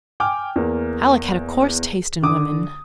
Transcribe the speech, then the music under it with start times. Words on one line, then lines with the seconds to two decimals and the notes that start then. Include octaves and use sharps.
Alec had a coarse taste in women.
0.20 G5 G#5 D6 F6
0.56 E2 A#3
2.22 D3 D6 D#6